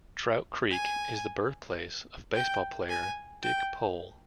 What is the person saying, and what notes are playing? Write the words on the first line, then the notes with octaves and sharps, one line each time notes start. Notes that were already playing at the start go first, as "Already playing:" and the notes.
Trout Creek is the birthplace of baseball player Dick Pole.
G#5
G5
G#5
G5